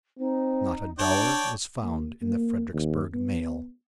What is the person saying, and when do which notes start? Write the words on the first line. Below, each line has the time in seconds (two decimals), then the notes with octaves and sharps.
Not a dollar was found in the Fredericksburg mail.
0.19 C4 D#4
0.99 D4 C#5 D5 G5 A5
1.82 A#3
2.22 A#3
2.73 D#2
3.14 B3